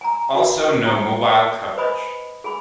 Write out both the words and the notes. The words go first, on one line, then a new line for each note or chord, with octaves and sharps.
Also no mobile coverage.
G#5 A#5
F#4
C5 A#5
B4 C5 D#5 G#5 B5 D#6
G#4 G#5 B5